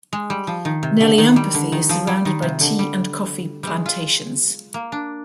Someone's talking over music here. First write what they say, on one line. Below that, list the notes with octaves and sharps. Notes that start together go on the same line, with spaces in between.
Nelliampathy is surrounded by tea and coffee plantations.
G#3
G3
F3
D#3
C3
D3
D#3
G3
D3
D#3
F3
G3
D#3
C3
D3
G3
G3 G#3
F4
A#3
D4